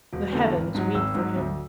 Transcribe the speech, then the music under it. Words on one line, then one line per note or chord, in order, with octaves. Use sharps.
The heavens weep for him.
E1
E2 D3 A3
G#1
G#2 F#3
G#1 E6
G#2 F#3
D2